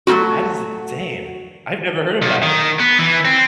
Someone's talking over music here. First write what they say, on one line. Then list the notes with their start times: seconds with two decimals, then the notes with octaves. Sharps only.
That is insane. I've never heard of that.
0.07 F#3 A3 A#3 F4 F#4
2.22 B1
2.43 D#3
2.80 B3
2.99 E3
3.25 C4